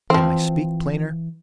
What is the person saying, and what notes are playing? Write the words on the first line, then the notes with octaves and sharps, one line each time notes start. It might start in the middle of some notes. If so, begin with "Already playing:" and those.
Can I speak plainer?
E3 F3 C4